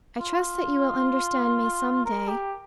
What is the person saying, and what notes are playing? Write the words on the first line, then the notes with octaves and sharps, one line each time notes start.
I trust that you will understand me some day.
F4
A#4
G4